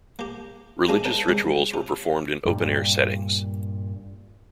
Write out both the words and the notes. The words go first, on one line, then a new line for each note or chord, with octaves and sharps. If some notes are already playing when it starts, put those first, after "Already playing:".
Religious rituals were performed in open air settings.
A#3 G4
G#3 A#3 D4 G#4 A4 F5
C4 D#4 A#4 B4 G5 A5
C3 G#3 C4
C3 F4
G2 A#2 G3